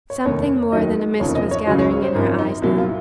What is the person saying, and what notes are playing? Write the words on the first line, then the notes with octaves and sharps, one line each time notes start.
Something more than a mist was gathering in her eyes now.
C#5
F1 D#2 D#3 C#5
D#2 D#3 F#3 D#5
F1 D#2 C#3 F3 C#5
D#5
C#5
C#2 C#3 F#3 D#5
C#5
C#5
C5
G#1 F#2 F3 A#4
D#4
C2 A#2 F#3
F4